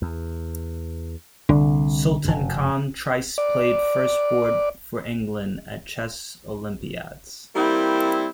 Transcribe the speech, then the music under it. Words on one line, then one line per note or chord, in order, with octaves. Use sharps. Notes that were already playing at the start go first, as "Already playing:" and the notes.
Sultan Khan thrice played first board for England at Chess Olympiads.
E2
C2 D3
F1 F#2
D5
G3 A#3 C4 E4